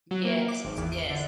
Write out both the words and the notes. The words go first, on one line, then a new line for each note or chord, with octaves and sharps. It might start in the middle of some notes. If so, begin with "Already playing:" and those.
Yes, yes.
F#3
A#3
D6
G#1
E2
D7
D3